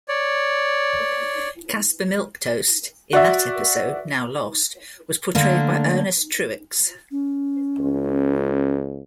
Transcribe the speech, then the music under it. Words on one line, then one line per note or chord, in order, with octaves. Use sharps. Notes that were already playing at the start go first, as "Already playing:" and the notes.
Caspar Milquetoast in that episode, now lost, was portrayed by Ernest Truex.
C#5 D5
F#4 D5 E5
D3 A3 A#3 D4
C#4
C#2